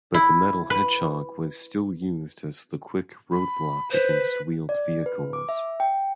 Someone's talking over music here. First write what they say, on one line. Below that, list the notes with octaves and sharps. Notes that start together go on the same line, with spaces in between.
But the metal hedgehog was still used as the quick road-block against wheeled vehicles.
E4
B4
B5
B4 C5
D5
B4
D6
E5
G5